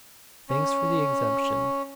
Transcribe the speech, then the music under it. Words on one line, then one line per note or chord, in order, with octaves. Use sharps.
Thanks for the exemption.
C#4